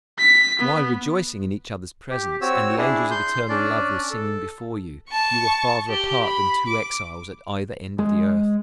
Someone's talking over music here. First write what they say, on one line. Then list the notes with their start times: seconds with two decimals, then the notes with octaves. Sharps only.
While rejoicing in each other's presence, and the angels of eternal love were singing before you, you were farther apart than two exiles at either end of the earth.
0.19 B6
0.59 B3
2.10 G4
2.41 C4 F#4 C#5 E6
2.77 D4 E4 G#4
3.11 C6 G6
3.49 C#4 D4 D5
4.11 A4
5.09 A5 C#6
5.89 G4
6.21 B5
6.67 D6
7.99 G#3